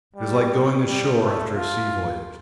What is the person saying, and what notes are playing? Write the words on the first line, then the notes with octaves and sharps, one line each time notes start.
It is like going ashore after a sea voyage.
G3
G3
A3
F4